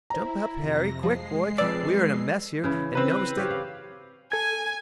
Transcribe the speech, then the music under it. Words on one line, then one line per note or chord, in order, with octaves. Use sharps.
Jump up, Harry; quick, boy! we are in a mess here, and no mistake.
E4 C5 A#5
F2 C3 A#6
F3 G#3 C7
F2 B4 D5 E6
C#3 E3
C4 B4
G4 C#5 F5
F5
A4 G#5 G#6